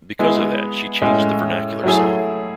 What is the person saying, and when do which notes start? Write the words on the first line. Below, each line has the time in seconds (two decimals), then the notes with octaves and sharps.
Because of that she changed the vernacular song.
0.19 G#3 B3 E4 G#4
1.02 A2 G#3 C#4
1.83 F#3 A3 E4 G#4